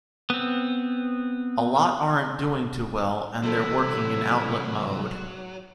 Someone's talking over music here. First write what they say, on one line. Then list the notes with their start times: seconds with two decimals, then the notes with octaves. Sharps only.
A lot aren't doing too well and they're working in outlet mode.
0.30 B3 C4
3.43 C3 E3 F#3 E4 A4 C5